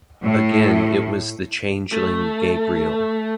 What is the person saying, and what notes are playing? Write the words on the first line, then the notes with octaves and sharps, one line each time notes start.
Again it was the changeling Gabriel.
A2
A3